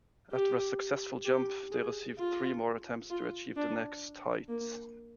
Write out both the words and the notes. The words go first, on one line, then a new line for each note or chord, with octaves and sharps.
After a successful jump, they receive three more attempts to achieve the next height.
G4
G4
G#4
F4
F4
D4
A#3